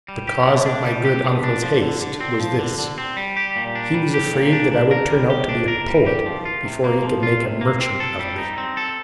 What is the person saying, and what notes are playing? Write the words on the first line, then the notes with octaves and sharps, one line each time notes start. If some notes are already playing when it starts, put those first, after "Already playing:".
The cause of my good uncle's haste was this--he was afraid that I would turn out to be a poet before he could make a merchant of me.
G3
G4
D3
D4
G3
G4
D3
D4
F3
D3
D3
C4
F3
D3
D3
C4
G3
G4
A#2
D4
G3
G4
A#2
D4
D4
A#4
G3
G4
D4
A#4
G3
G4
F3
F4
C3
A#3
F3
F4
C3
A#3
C4
A4
G3
D#4
C4
A4